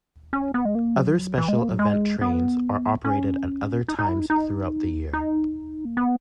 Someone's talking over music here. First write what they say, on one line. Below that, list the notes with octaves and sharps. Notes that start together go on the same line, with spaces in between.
Other special event trains are operated at other times throughout the year.
C#4
B3
G#3
A#3
F#3
E3
G#3
A#3
F#3
G#3
B3
C#4
D#4
D#4
E4
D#4
D#4
D#4
A#3
B3